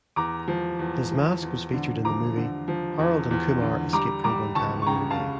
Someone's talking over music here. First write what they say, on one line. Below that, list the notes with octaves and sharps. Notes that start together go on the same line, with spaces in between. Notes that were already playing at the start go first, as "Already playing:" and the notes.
His mask was featured in the movie "Harold and Kumar Escape From Guantanamo Bay".
E2 A#5 D6
F3
E2
F3
E2
D3
F3 A#5 D6
D3
F3
E2
E2
D3
G3 A#5 D6
G3 A#5 D6
C#2 A5 C#6
C#6
C#3 G5 A#5
F5 A5
C#3